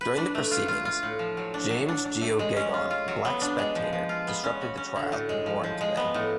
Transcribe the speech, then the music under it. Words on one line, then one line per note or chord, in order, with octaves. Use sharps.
During the proceedings, James Geoghegon, a black spectator, disrupted the trial in Morant Bay.
B4
D4
A3
F4
F4
F4
A2
F3
F#3
D4
F#3
D4
D4
A3
G#3
C#4
F4
F4
F#3
B3
D4
G#3
F3
F3
F4
B3
C#4
F#4
C#4
D3
A2
G#3
F3
F3
G#3
B3
A2